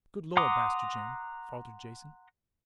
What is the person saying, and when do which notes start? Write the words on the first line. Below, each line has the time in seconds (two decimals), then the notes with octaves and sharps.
"Good Lord, Master Jim!" faltered Jason.
0.37 F#5 A#5 C6 D6 D#6